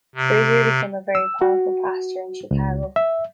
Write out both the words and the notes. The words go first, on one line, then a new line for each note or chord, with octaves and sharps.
Brazier became a very powerful pastor in Chicago.
C3
E6
F#4
C#2
E5